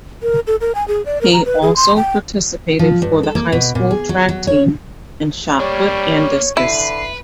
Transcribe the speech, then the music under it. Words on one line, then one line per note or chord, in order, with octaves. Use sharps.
He also participated for the high school track team in shot put and discus.
A#4
A4
A#4
G#5
G#4
D5
A#4
A#5
B4
G#4
C6
G5
F3
G2
A4
A#3
B2
A#2
G#4
F#3
F#3
C#5
G3 A#3 D4 C#5
D3 E4 B4 C7